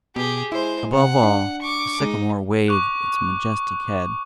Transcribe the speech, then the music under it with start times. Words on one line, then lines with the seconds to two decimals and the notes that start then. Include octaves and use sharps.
Above all, the sycamore waved its majestic head.
0.16 B2 G4 G#4
0.52 G#3 E4 C5
0.93 C3 F#5
1.23 D4
1.62 C#6 D6
2.00 G#3 D#4
2.68 C#6 D6 F#6